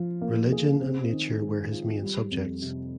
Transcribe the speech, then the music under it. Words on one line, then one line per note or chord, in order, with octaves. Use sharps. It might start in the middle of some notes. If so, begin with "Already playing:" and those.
Religion and nature were his main subjects.
Already playing: F3 F4
A#3
G#4
C4
D#3
G#3
F4
G3
F2
C3